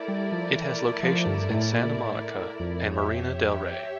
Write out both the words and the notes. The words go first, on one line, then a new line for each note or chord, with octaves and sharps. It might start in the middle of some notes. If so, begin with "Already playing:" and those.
It has locations in Santa Monica and Marina Del Rey.
Already playing: A3 E4 A#4 D5
G3
F3
E3
F3
G2
A2
A#2
A2
F2
G4 C#5 E5